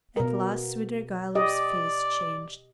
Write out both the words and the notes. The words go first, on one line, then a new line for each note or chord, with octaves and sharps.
At last Svidrigailov's face changed.
B2 A#4
G4 D5 D#5